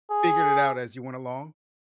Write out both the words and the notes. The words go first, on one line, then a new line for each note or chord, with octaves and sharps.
figured it out as you went along?
G#4